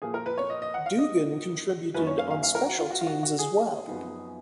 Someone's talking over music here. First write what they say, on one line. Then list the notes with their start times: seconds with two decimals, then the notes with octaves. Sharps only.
Dugan contributed on special teams as well.
0.02 A#2 F3 A#3 G#4
0.14 A#4
0.26 B4
0.38 C#5
0.50 D#5
0.62 D#5
0.74 F#5
0.86 F5
0.98 D#5
1.94 F#2 D#3 A#3 C#4 B4
2.07 C#5
2.18 F5
2.30 F5
2.43 F5
2.55 A#4
2.67 F#4
2.79 F4
2.90 F#4
3.01 F4
3.07 F#4
3.23 F#4
3.39 G#4
3.87 F#2 F3 B3 D#4